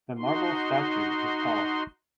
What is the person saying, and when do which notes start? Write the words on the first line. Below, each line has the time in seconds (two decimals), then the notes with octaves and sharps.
The marble statue is tall.
0.19 D#4 F#4 C6